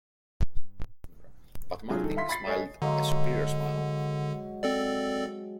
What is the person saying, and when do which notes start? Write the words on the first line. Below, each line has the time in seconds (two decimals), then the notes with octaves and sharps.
But Martin smiled a superior smile.
1.89 C3 F#3 D4 F4 G#4
2.02 D#3 A4
2.16 E5 F5 C6 B6
2.29 B5 A6 C7
2.46 A3 C#5 D#5 G#5
2.82 D3 F#3 G#3 F5
4.63 C4 A4 D5